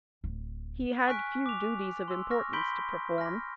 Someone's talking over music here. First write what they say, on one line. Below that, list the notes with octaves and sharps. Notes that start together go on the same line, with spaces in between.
He had few duties of importance to perform.
D1
G#5 C#6 F6 F#6 B6 D7
D6 F7
C6 E6
C#6 F6 A#6
B5 C6 G6 B6 D7 G7
F6 A#6